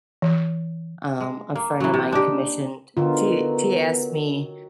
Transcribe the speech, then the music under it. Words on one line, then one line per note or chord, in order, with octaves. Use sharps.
Um, a friend of mine commissioned she she asked me
E3
G#3
A#3
E3 F#3
C3
C4 D4 D#4 G4
D3 D#3 F#3 B3 F4